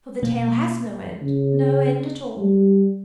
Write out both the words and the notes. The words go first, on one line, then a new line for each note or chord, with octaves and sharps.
For the tale has no end, no end at all.
B2 A#3
C#3
G3